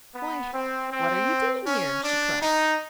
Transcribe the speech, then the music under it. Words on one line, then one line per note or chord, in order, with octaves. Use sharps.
"Why, what are you doing here?" she cried.
B3
C4
C4
C#4
D4
D#4